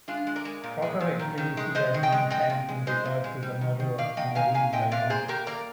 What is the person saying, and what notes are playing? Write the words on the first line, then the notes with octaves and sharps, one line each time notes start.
Trotter explains he has been sent in regard to the murder of Maureen Lyon.
G#3 D4 F4
G#3
A#4 D5
G#3
A#2
G#3
A#2
D#3
D#3
G#3
G#3 C5 D#5
D#3
D#5 G5
G#3
G#3 D#5 G5
A#2
G#3
G#3 C5 D#5
A#2
G#3
G3
D#3
D#3
D#3 D5 F5
A#3 D#5 G5
D#3 F5 G#5
A#3 F5 G#5
C3 D#5 G5
C3 D5 F5
A#3 G#4 C5
A#3 G4 A#4
A#3 A#4 D5